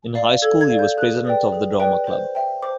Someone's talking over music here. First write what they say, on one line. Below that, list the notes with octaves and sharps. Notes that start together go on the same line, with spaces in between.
In high school he was president of the Drama Club.
D5 F5
A4 G#6
G#6
D5 F5
G6
G#4 F#6
B4 D5 G5
G#4
B4 D5 G5
C5
E5 G5
C5 D6